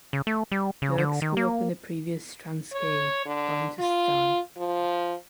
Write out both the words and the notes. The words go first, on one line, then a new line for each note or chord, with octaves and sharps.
Dirks grew up in the previous Transkei bantustan.
C#3
A3
G3
C#3
D3
D#3
A#3
C#5
D3
F4
F3